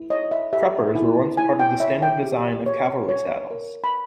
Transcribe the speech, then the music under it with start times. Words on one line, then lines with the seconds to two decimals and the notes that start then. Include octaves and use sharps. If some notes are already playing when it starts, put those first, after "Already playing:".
Cruppers were once part of the standard design of cavalry saddles.
Already playing: E4
0.10 C#5 D#5
0.31 E5
0.53 G4 E5
0.95 E4
1.37 E4 G#5
1.60 G5
1.80 C#5 E5
2.02 G5
2.23 G4
2.66 C#5
3.09 C#5
3.51 A#4
3.84 B5